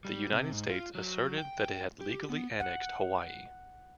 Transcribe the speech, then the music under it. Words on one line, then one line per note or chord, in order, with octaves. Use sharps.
The United States asserted that it had legally annexed Hawaii.
G3
C3
G#2
F4
F#3
G5
G4
B3
F#5